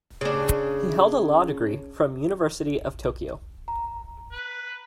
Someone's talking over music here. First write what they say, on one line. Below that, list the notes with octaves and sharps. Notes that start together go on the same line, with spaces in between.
He held a law degree from University of Tokyo.
C#3 D4
A#5
B4